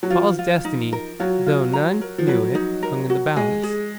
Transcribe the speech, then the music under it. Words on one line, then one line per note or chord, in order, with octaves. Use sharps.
Paul's destiny, though none knew it, hung in the balance.
F#3
F3 F4
F4
D#4
A#4
F#3 F4
F4
A#5
A#4
F3
F#3 B4
D#4
A#4
F#4
G#3 G#5
G#4